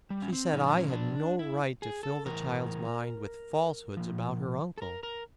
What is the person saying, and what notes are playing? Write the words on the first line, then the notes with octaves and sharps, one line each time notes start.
She said I had no right to fill the child's mind with falsehoods about her uncle.
G3
C#4
C4
A#2 F3 D#4
D4
C#4
D4
E4
G#4
A4
A2 E3 A#4
A#2 F3
A4
A#4
A#4